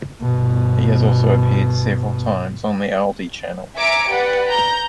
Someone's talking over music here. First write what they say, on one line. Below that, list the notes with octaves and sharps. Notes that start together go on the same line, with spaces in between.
He has also appeared several times on the Audi Channel.
G1 B2
E5 G#5 A#5 D6 C#7 D7
G4 B4 D5 F#5
A#5 G6